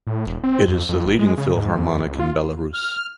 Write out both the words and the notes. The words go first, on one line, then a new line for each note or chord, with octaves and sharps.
It is the leading Philharmonic in Belarus.
A2
E1
C4
F2
F2
G#1
G#3
C#3
G#2
F2
C#2
F4
F6